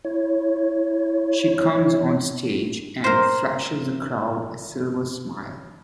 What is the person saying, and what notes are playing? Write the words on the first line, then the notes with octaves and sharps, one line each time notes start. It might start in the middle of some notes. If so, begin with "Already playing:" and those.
She comes onstage and flashes the crowd a silver smile.
E4 C#5
A#4 C5